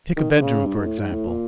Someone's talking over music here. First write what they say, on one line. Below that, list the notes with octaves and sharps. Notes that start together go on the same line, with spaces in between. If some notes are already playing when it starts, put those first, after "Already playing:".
Take a bedroom, for example.
D#3
D3
C#3
G2
G#2
A2
G#2
A2
A#2